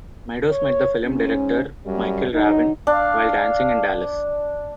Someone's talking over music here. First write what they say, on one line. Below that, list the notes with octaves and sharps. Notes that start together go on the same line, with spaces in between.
Meadows met the film director Michael Raven while dancing in Dallas.
C#5
G#2 C#4
F#2 G3
D3 F#3 D#4
D4 F5